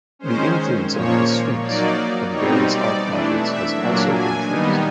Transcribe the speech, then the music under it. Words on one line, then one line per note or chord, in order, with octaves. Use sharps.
The influence on "The Sphinx" of various art objects has also been traced.
D#3 G#3 C#4 C5
A#2 F3 A#3 C#5
F#3 A#3 D#4 D5
B2 G3 C4 D#4 C#5
D5
E3 A3 D4
E5
A#2 F#3 A#3 D4
G#5
D#3 G3 B3 D#4